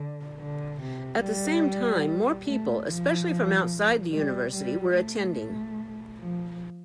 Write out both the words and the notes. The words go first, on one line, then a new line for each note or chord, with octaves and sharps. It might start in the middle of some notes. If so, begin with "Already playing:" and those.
At the same time more people, especially from outside the university, were attending.
Already playing: D3
D3
C3
G3
A3
F3
G3
G3
A3
F3